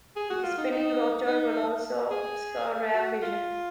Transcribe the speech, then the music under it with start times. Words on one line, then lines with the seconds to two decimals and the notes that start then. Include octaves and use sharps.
The spinning rotor would also obscure rear vision.
0.16 G#4
0.30 F#4
0.43 F4
0.58 D#4
0.72 D#4
1.27 D#4
2.11 G#4
2.94 F#4
3.23 F4